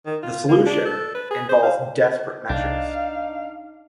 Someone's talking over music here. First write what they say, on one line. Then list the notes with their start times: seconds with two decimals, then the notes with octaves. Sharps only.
The solution involves desperate measures.
0.06 D#3
0.23 F4
0.48 A#3
0.66 D4
0.85 A4
1.15 B4
1.31 G#4
1.49 C5
1.63 F5
2.49 C2 D4 D#4 F5